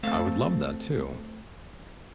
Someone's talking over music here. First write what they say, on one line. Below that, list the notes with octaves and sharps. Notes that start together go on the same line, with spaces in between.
I would love that, too.
A3 C4 A4 F5